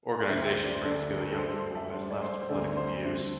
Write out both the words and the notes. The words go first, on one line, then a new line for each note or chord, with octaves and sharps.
Organisation brings together young people who has left political views.
D5
D2 D3 A3 D4 C5 E5
G5
C5 E5
D5
C5
D2 D3 A3 D4 A4 D5
A4
G2 G3 D4 C5
C5
A4
E5 A5
G2 G3 D4 C5
D5
C5
C5
D2 D3 G3 C4 A4 D5
D5
C5
D2 D3 G3 C4 C5